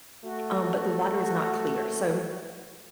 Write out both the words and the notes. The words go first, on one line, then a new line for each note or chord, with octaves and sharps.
um, but the water is not clear, so
A3 F#4